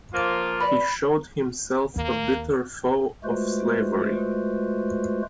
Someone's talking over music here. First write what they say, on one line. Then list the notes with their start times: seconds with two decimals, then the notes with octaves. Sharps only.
He showed himself a bitter foe of slavery.
0.13 F3 A#3 F4
0.61 F#4 B4 D5 B5
1.96 D#2 A#3
3.24 G#3 A3 F4 F#4 B4 C5